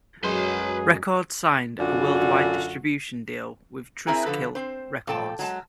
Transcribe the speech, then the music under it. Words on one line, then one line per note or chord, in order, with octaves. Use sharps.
Records signed a worldwide distribution deal with Trustkill Records.
F#2 F#3 G#3 G#4 B4 C6
F#2 D3 D4 F4 F#4
C4 E4 G#4 A#4 G#5 A#5
D3 F3 A4 B4
C4 C5
A#2 F3 A4 G5 A5
F#3 G#3 A5